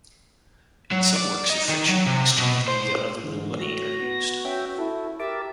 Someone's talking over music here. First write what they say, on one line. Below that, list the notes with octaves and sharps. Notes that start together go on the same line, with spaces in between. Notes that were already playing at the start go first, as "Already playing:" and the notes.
In some works of fiction, exchange media other than money are used.
F#3
D5
D#4
D#3
F#3
C3
B2
C5
G#2 D3 E3
A2 F#4 A#6
B3
C#4 E5 G5
E4 A4
G4 A#4 E5 A5 D6